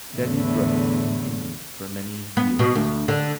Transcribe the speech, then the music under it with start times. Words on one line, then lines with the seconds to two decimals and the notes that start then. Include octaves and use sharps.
Steady growth continued for many years.
0.15 E2 A2 D3
2.37 B3
2.59 B2
2.75 D2
3.08 D3